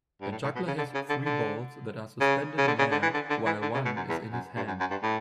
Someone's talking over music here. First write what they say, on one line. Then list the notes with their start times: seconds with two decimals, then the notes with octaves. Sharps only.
A juggler has three balls that are suspended in air while one is in his hand.
0.21 G2
0.32 A2
0.43 A2
0.55 B2
0.67 C#3
0.78 D3
0.95 C#3
1.10 D3
1.26 D3
2.21 C#3
2.58 C#3
2.67 D3
2.79 C#3
2.92 D3
3.03 E3
3.14 D3
3.30 D3
3.46 E3
3.62 D3
3.74 C#3
3.85 B2
3.97 F#2
4.09 E2
4.33 F#2
4.57 G2
4.68 F#2
4.80 F#2
4.91 G2
5.03 A2